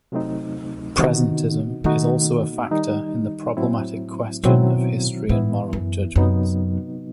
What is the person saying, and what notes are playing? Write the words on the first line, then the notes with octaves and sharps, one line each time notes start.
Presentism is also a factor in the problematic question of history and moral judgments.
C3 F#3 A3 C4 D#4
C3 D#3 E3 B3 D#4 F#4
B2 D#3 A3 D#4 F#4
D#3 G3 D#4
A2 F#3 C4 E4
B2 D#3 F#3 C4 E4
A2 E3 B3 E4
F#2
F#2 C3 F#3 B3 D#4